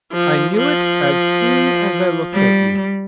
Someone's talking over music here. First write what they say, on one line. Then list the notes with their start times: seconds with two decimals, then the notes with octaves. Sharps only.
"I knew it as soon as I looked at you."
0.14 F3
0.58 F3
2.35 G3